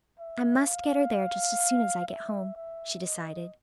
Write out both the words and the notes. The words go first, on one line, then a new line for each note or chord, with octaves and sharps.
"I must get her there just as soon as I get home," she decided.
E5
F5
E5
E5
D#5